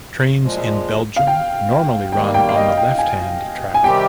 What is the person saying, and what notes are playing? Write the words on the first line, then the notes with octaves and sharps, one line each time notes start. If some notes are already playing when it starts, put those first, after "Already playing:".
Trains in Belgium normally run on the left hand track.
A#2 F3 G#3
F5
G5
D#3 G3 A#3 G5
G5
F5
D#5
G5
G#5
G#5
C3 D#3 G3 C4 G4 G5